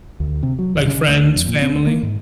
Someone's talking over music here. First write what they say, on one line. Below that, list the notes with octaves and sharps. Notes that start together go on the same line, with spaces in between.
Like, friends, family?
D2
C3
F#3
D#1
C#3
D2
F2
A#2
C4
D2
A#3
G#2